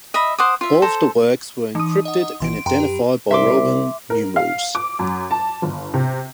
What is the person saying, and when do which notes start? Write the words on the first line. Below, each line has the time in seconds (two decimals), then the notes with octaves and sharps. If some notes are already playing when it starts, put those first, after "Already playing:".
All of the works were encrypted and identified by Roman numerals.
0.14 D#5 E5 B5
0.38 C5 F#5 D6 D#6
0.61 F4 E5
0.82 A4 C5 A#5
1.75 E3 D#4 D#6
2.05 D#5 F#5
2.40 G#1 E3 C6 D7
2.66 F#2 B4 G5 A#5 C6 D7
2.80 G4
3.31 C2 E5 C6 D6
4.10 A#4
4.36 F5
4.75 D6
4.99 F#2
5.31 A5
5.62 G1
5.94 C3